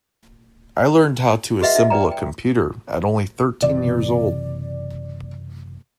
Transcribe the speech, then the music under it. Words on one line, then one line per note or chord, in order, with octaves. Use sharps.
I learned how to assemble a computer at only thirteen years old.
F#4 G#4 B4 D#5 E5 F#5
D#4 E5
B4 D5 G5 A#5
G5
F#1 C3 E3 D5